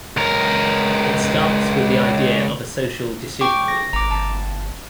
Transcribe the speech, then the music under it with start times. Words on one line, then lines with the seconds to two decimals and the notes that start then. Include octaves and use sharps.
It starts with the idea of a social decision rule.
0.17 C#2 A#4
3.41 G5 C#6 D6
3.68 A#6
3.93 G#1 A#5 D6
4.11 G1 A5